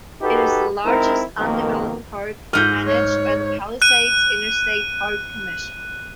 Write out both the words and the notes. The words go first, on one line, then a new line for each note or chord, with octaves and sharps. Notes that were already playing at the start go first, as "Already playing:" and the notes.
It is the largest undeveloped park managed by the Palisades Interstate Park Commission.
D#4 F#4 G4 A4 B4
G#3 C4 D#4 E4 A#4
F2 B2 D#3 A#3
G#2 D#5 F6 G6
C#5
F#6 D#7